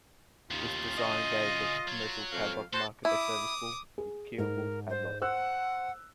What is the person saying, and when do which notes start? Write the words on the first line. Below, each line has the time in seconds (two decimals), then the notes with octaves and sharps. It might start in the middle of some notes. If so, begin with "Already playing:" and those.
This design gave the commercial padlock market a serviceable, rekeyable padlock.
0.51 D#2 A2 C#3 F4
0.98 D#5
1.88 F#3
2.32 F2 F5
2.74 F#4 A4 C5
3.05 E4 D6 D#6
3.98 G#4
4.38 G#2 A#4
4.89 C5
5.22 C5 F#5 E6 F#6